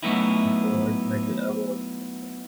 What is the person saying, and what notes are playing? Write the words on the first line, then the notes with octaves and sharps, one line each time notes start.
Gold Medal Award.
F#3 A3 B3 D#4 E4